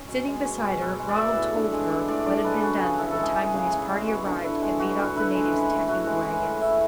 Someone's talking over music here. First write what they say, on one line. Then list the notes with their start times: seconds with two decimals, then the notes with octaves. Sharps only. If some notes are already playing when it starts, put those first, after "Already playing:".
Sitting beside her, Ronald told her what had been done from the time when his party arrived and beat off the natives attacking the waggons.
Already playing: C#4
0.09 B2
0.28 G#3
0.45 C#4
0.63 B2
0.81 B2
0.99 G#3
1.09 D5
1.18 B3 E5
1.36 A2
1.54 D4
1.73 G#3
1.90 B3 D5
2.08 A2 D5
2.26 D4 D5
2.44 G#3 B4
2.63 C#4 F#4
2.80 C#3 G#4
2.98 E4 A4
3.11 A4
3.17 G#3
3.23 G#4
3.35 C#4 G#4
3.54 C#3
3.71 E4
3.89 G#3
4.08 B3 F#4
4.26 D3
4.44 E4
4.62 G#3
4.79 B3 F#4
4.98 D3
5.04 F#4
5.16 E4 B4
5.35 G#3
5.53 C#4
5.70 A2
5.89 E4 F#4
6.07 G#3
6.25 C#4
6.43 A2
6.61 E4 E5